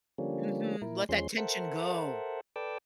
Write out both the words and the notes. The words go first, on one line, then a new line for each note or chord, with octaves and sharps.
Mhm, let that tension go.
D3 F3 G3 A#3 C#4
A#2 E4 A#4
E2 F3 G#3 C#4 C6
A4 A#4 C5 E5 F#5
A4 B4 D5 G5 D6 E6